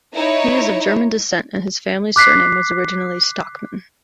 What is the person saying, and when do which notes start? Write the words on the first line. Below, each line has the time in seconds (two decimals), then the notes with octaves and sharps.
He is of German descent, and his family's surname was originally "Stockmann".
0.14 D#4 E4 C#5
2.16 D6 F#6 B6 C7